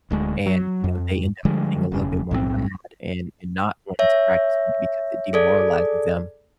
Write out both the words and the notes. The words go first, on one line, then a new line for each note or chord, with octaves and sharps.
and, you know, they end up getting a little bit more mad and and not wanting to practice on it because it demoralizes them
D1 D2 G#3
F#3
F2
D3 F3 G3 G#3
E1 C#3
B1 A2 G#3 C4
C#5 E5
G#4 A4 D5